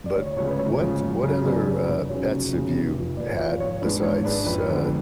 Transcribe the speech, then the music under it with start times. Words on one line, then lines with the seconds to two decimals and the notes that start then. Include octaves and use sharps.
but what what other, uh, pets have you had besides, uh
0.06 D5
0.15 D2 C#5
0.26 C#5
0.37 C#3 F3 G#3 C#5
0.47 B4
0.58 D2 C#5
0.80 C#3 F3 G#3
1.02 F#2
1.23 C#3 F#3
1.44 F#2 B4 D5
1.66 C#3 F#3
1.87 F1 B4
2.09 F2 C#3 F#3 C#4 C#5
2.31 F1
2.52 F2 C#3 F#3 C#4
2.74 F1
2.96 F2 F3
3.17 F1 B4 D5
3.38 F2 F3 C#5 F5
3.60 G#1 C#5
3.82 G#2 G#3 D4 B4
4.03 G#1 C#5
4.24 G#2 G#3 D4 B4 D5
4.46 F2 B4
4.68 D3 F3 G#3 B3